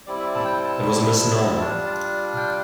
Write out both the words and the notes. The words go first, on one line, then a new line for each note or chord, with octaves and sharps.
It was a misnomer.
G3 C4 E4 D5
E5
D5
A5
G5
A5
G3 D4 F4
G5